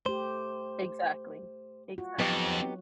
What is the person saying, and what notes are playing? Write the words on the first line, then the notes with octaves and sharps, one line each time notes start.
Exactly. Exactly.
A3 G4 C5
F4 F#4
F2 F#3 B3 D#4 G4